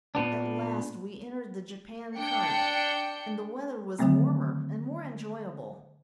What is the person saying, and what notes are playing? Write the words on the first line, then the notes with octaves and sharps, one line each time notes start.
At last we entered the Japan current and the weather was warmer and more enjoyable.
A#2 B3 D4
D4 G5 C#7
D3 D#3 F#3 A3 A#3 C4